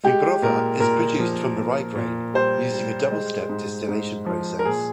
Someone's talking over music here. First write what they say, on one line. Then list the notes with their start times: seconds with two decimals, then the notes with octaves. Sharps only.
Wyborowa is produced from rye grain, using a double-step distillation process.
0.04 G#3 G4
0.42 A#2 A#4
0.80 A#2 A#4
1.19 F3
1.57 A#2
1.96 A#2
2.34 G3 C5
2.72 G3
3.11 G#3
3.49 G#2
3.89 G#2
4.26 F3
4.59 A#4
4.65 A#2 G#4